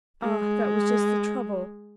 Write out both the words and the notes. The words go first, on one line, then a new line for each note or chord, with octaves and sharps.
Ah, that was just the trouble.
G#3